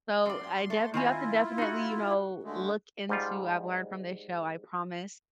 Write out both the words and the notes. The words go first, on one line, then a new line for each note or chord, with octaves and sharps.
So, I def you have to definitely, you know, look into I've learned from this show, I promise
F#2 D5 C6
A3
D#3 C4 E4 F4 G#5
D#4 F#4
D3 G#3 A3
G#2 G3 F4